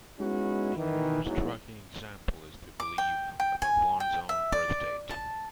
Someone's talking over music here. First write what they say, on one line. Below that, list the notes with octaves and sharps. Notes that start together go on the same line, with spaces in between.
A more striking example is the belief about one's own birthdate.
G#3 B3 C#4 D#4 E4 F#4
D#3 E3
E2 G#2 E3 F#3
D6
G5
G5
G#5
G5
E5
D5
A5